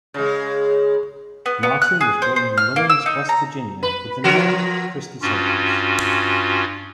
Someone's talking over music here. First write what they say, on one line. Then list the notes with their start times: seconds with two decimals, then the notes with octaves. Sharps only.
Martin was born in Mullens, West Virginia with the name Christy Salters.
0.14 C#3 G#3
1.46 B3
1.63 B3
1.82 F#6
2.01 G#4
2.22 C5
2.36 C5
2.58 F6
2.76 A#3
2.90 E6
3.06 D#4
3.29 A#5
3.83 B4
4.24 F3 F#4 A#4
5.22 G2 C#4 F4 F#4